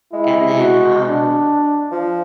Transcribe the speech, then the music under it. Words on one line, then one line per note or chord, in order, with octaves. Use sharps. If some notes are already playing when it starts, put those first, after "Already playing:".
and then, um,
G#3 E4
F#4
D4
F3